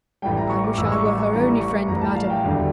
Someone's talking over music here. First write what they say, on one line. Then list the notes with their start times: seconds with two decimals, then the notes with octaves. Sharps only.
'I wish I were her only friend, madam.
0.22 A1 A2 G3 G5
0.37 A#5
0.49 C#6
0.64 D6
0.77 A1 A2 G3 E6
0.92 C#6
1.05 C#6
1.19 C#6
1.33 A1 A2 G3 A#5
1.60 C#6
1.88 A1 A2 G3 A#5
2.01 A5
2.15 F5
2.30 G5
2.44 E1 D2 D3 G3